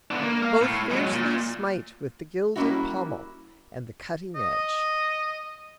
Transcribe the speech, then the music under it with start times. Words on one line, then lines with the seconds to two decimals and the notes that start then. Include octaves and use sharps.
Both fiercely smite with the gilded pommel and the cutting edge.
0.11 B3 D4
0.23 A#3
0.42 A#4 F5
0.61 A2
0.91 F#3 G#3
1.13 A#2
2.56 G3 A#3 C4 C#4 E4 F#4
4.36 D#5